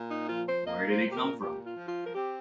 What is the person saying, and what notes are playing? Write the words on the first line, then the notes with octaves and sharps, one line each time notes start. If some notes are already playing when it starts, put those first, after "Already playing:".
Where did he come from?
Already playing: A#2
D#4
F3 F4
C5
A#3 D#5
C5
A#2
G4
A#4
A#2 G4
F4
F3
F4
A#4
C4 G4